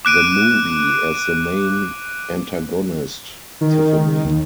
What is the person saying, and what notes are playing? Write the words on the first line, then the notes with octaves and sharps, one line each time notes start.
The Movie as the main antagonist, Tiffany.
D6 F#6 D7 D#7
D#3
D#2